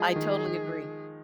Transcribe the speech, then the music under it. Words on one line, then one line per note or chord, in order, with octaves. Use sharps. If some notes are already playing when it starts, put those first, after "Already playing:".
I totally agree.
Already playing: F3 G#3 G#4
D#3